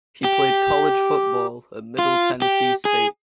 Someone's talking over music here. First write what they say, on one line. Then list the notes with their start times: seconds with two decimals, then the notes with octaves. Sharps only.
He played college football at Middle Tennessee State.
0.24 G4
1.99 F4
2.42 G4
2.85 G#4